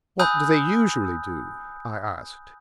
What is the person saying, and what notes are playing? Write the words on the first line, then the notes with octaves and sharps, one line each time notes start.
"What do they usually do?" I asked.
G#5 B5 D#6 E6 F#6 G6